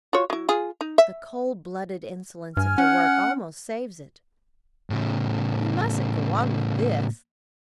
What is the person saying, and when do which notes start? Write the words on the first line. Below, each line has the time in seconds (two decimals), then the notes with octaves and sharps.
The cold-blooded insolence of the work almost saves it; but he mustn't go on with this.
0.13 F4 F#4 C#5
0.30 F#3 E4
0.49 F4 G#4
0.81 D#4
0.98 E5
2.57 G2 G#5 F6
2.78 C#4 F#5
4.90 A2 C#3